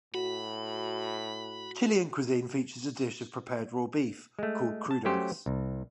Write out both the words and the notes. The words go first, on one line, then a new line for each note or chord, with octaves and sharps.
Chilean cuisine features a dish of prepared raw beef called crudos.
A2 F#4 B5
G#3 A3
A5
F#3 A3 C#4 G4 C5
C2